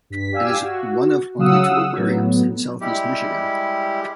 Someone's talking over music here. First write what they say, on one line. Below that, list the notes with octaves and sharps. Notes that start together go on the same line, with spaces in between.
It is one of only two aquariums in Southeast Michigan.
G2 B6
G4 D5 F5 G#5 E6
F#4
C#3 F#3 F5 F#5 D#6 E6
A2 F#3 B3
G3 G#3 E4 G4